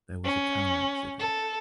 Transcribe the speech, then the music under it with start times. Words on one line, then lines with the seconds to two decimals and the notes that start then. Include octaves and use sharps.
There was a car accident.
0.25 C#4
1.20 A4